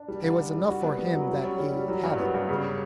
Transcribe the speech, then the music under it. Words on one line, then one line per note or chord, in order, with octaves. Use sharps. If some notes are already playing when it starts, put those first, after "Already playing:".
It was enough for him that he had it.
Already playing: D4
G3
D3
D3
G3
F#4
B3
B3
F#3
G3
C#4
G3
G3
F#3
G2
B3
G2
C#3